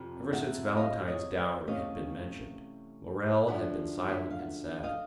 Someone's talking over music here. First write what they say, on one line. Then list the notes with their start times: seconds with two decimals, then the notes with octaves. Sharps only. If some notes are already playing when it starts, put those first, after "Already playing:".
Ever since Valentine's dowry had been mentioned, Morrel had been silent and sad.
Already playing: F2 C3
0.33 E5 F#5
0.77 D#5 F5
1.08 C#5 D#5
1.37 D5 E5
1.67 C3 E3 A3 C#4 D#5 F5
3.48 F#2 D3 F3 E5 F#5
4.08 E5 F#5
4.30 F5
4.38 E5 F#5
4.83 D#5 F5